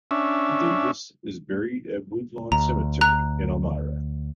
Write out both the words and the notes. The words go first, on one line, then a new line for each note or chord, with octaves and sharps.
Davis is buried at Woodlawn Cemetery in Elmira.
C#4 D4 E5
D2 A#5
A#5 F#6 F7